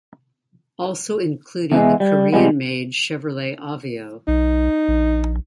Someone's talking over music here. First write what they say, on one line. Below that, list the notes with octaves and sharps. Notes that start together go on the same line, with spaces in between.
Also including the Korean made Chevrolet Aveo.
E2 E3 G#3
G3
C3 G3 G#3 B3
B1 D#4
A#1